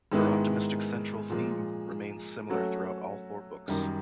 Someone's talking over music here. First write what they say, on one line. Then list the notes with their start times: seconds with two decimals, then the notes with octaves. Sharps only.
Her optimistic central theme remains similar throughout all four books.
0.12 G#2 D#3 G#3 B3 E4
1.30 A#2 F3 G#3
2.49 F#3 A3 C#4 F#4 A4
3.68 F#2 D#3 G3